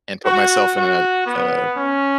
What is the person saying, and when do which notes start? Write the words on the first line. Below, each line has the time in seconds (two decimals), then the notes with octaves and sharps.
and put myself in a, uh,
0.26 F#4
0.77 F#4
1.26 B3
1.77 C#4